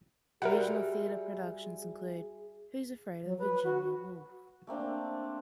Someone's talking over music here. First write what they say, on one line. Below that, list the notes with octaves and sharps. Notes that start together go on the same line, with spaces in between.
Regional theatre productions include: Who's Afraid of Virginia Woolf?
G3 F#4 G#4 A#4 E5 F#5 G5
F#3
B4
F#4
A3 A#3 C4 D4